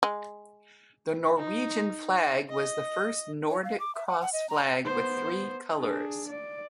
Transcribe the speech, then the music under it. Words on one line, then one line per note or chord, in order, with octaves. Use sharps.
The Norwegian flag was the first Nordic cross flag with three colours.
G#3
D#4
D#5
C#5
F5
D6
E5
F#5
F#5
D#5
A#5
B3 C5
D4 G#4
D5